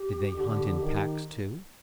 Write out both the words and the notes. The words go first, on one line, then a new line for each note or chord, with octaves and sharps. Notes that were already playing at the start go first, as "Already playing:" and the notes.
Did they hunt in packs, too?
Already playing: G4
D3
D#3